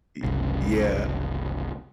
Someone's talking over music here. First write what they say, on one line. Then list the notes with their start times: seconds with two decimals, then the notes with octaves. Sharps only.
Y yeah.
0.24 F#1 C2 C#3